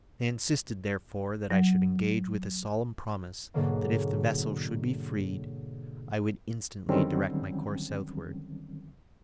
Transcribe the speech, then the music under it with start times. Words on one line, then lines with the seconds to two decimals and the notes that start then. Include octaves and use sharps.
They insisted, therefore, that I should engage with a solemn promise that if the vessel should be freed I would instantly direct my course southwards.
1.51 F#3
3.54 G#2 B2 D3 F#3 A#3
6.89 D3 D#3 F#3 G3 C4 C#4